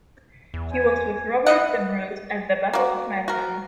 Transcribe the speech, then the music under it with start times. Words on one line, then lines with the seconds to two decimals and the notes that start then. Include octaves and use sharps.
He was with Robert the Bruce at the Battle of Methven.
0.54 E2
0.71 C5 G#5
1.46 E4 D#5 F#5
2.73 A#3 F#4
3.28 F#4 A#4